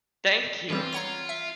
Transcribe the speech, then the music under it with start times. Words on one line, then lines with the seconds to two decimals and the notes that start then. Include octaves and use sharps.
Thank you.
0.70 E3 G3 C4 F4
0.92 C#5 F#5 A#5
1.29 E5